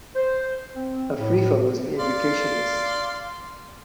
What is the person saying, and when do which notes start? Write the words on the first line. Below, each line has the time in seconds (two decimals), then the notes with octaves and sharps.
Afrifa was an educationist.
0.16 C5
0.75 C4
1.17 A2
1.99 D5 F5 C6